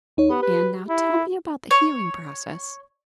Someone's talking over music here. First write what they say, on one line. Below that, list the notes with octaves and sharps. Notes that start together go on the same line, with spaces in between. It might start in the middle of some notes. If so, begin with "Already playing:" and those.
"And now tell me about the healing process."
D#2 D#4 C#5
B3 G4
B4
E4
C#5